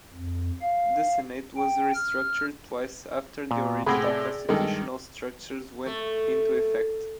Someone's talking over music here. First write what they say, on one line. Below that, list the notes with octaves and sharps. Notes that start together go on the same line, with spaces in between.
The Senate was restructured twice after the original constitutional structures went into effect.
F2
F5
G5
F6
A#2
A2 C3 G#4 F#5 B5
D5
G2 D#3 G#3 A4
A3